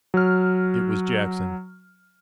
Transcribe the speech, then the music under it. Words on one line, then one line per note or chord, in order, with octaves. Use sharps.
It was Jackson.
F#3 F6